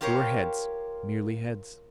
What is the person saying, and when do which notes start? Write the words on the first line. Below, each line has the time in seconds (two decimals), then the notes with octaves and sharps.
They were heads--merely heads.
0.01 F4 G4 A#4 C5 C#5